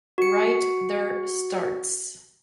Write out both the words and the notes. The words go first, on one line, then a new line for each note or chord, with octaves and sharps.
Wright their starts.
F#4 C#7